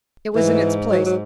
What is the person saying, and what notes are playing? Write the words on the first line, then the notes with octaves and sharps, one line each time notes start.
It was in its place.
G#2 E3
F#3
F#3